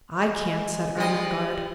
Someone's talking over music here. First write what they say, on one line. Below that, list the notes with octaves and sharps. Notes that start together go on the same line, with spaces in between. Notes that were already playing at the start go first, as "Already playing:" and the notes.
"I can't," said Ermengarde.
G#3
F3 G3 D#5